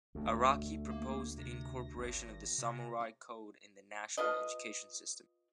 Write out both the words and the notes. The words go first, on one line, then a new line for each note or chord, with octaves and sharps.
Araki proposed the incorporation of the "samurai" code in the national education system.
E1 D2 A3
A#3
C3 A#6
G#1
C3
F4 A4 B4 D#5